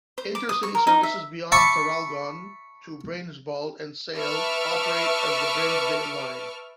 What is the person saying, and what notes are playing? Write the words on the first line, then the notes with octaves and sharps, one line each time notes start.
Intercity services beyond Traralgon to Bairnsdale and Sale operate as the Bairnsdale Line.
C5
D6
D#6
C#6
A#4
D#4
E5
E5 A5 B5 C#6 D6
B4 E5 A5 C#6 D6 F6